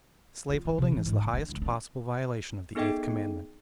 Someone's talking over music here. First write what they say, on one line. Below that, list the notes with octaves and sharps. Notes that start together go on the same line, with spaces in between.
Slaveholding is the highest possible violation of the eighth commandment.
F4
D#3
C3
E3
G#2
D2
D4
C#2
D4
B3 D#4 G#4 A4 D#5 G5